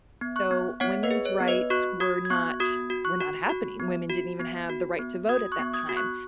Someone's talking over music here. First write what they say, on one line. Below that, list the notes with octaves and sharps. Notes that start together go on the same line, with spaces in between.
so women's rights were not were not happening, women didn't even have the right to vote at that time.
B3
C#6 F#6
B3
B3 C#5 F#5
B4 D#5
G#4
C#5
B3
B4 D#5
F#4 C#6 F#6
F#4 D#6 G#6
G#6
B3 C#6 F#6
F#4 D#6 G#6
F#4
C#6 F#6
F#4
F#4
B3
F#4
B3
F#4
B3
F#4 D#6 G#6
C#6 F#6
B3
D#6 G#6
F#4
C#6 F#6